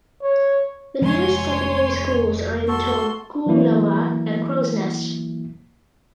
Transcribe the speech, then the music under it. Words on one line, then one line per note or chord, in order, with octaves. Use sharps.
The nearest secondary schools are in Toogoolawah and Crows Nest.
C#5
F1 D#2 F3 G#3 D4 C#5 G#5 C6
F#4 A4 C6
E3 F#3 A#3 E4